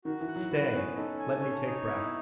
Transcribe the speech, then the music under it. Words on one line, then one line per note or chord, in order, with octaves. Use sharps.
Stay, let me take breath ...
D#3 F#4
E3
F#5
F#3
B4
B3 C#4
D#4 A4
G#5
C#4 C#5
D#4
B3 E4